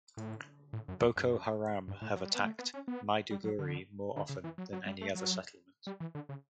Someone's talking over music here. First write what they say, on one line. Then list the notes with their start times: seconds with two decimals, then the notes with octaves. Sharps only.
Boko Haram have attacked Maiduguri more often than any other settlement.
0.17 A2
0.73 A2
0.88 F#2
1.02 E2
1.16 F#2
1.88 G2
2.02 A2
2.16 F#3
2.26 G3
2.35 B3
2.44 A3
2.59 B3
2.74 C#4
2.88 B3
3.31 G3
3.44 F#3
3.59 D3
4.16 D3
4.29 C#3
4.44 E3
4.58 F#3
4.73 F#3
4.86 G3
5.01 A3
5.15 F#3
5.87 G3
6.00 E3
6.15 D3
6.29 C#3